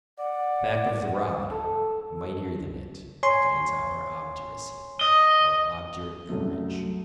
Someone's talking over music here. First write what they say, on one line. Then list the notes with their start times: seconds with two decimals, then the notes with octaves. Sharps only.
Back of the rod, mightier than it, stands our--obduracy, our obdurate courage.
0.19 D5 F#5
1.50 A4
3.23 C#5 G#5 C6
5.01 D#5
6.29 C2 F#2 C3 F#3 A3